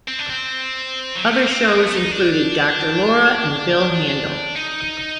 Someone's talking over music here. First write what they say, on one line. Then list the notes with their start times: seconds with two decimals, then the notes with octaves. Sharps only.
Other shows included Doctor Laura and Bill Handel.
0.08 C4
0.19 D4
0.30 C4
1.16 F#3
1.25 G3
1.34 A3
1.42 A#3
1.51 C4
1.66 A#3
1.81 A3
1.96 D#4
2.11 D4
4.56 D#4